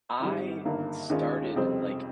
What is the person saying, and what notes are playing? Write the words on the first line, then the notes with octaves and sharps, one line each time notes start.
I started, like,
G#1 G#2 G3
G1 G2 D#3 A#3
D#2 D#3 G#3 C#4 F4
F1 F2 C#3 G3 C4